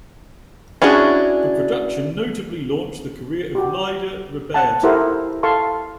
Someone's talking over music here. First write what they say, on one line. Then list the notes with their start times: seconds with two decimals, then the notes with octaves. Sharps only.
The production notably launched the career of Lyda Roberti.
0.82 C#4 D4 E4 F#4 G#4
3.55 F#4 G4
4.54 F#5 A5
4.83 E4 G4 A4 A#4 C5 F#5
5.43 A4 F5 A5 C6 C#6